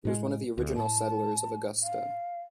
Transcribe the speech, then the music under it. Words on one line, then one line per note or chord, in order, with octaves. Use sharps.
He was one of the original settlers of Augusta.
A2 G#3
D2
A2 A5
F5